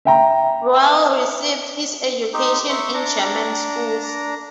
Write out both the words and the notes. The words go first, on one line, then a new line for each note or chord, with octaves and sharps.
Roehl received his education in German schools.
E5 G5 A#5
C4 D#4 G4
E5 C6 C#6
D4 A#5